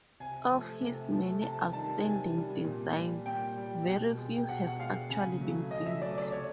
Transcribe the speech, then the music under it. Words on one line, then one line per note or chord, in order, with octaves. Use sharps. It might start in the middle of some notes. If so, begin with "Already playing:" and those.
Of his many outstanding designs, very few have actually been built.
C3 G#5
F3 A3
C3
F3 A3
C3 A5
D#3 G3 A5
C3 G#5
D#3 G3
A#2
G3
A#2 G5
G3
B2
G#3
G5
B2 F#5
F#5
G#3 F5
C#3 G#5
F#3 A3
C#3 D#5
E5
F#3 A3 D5
D5
C3 C#5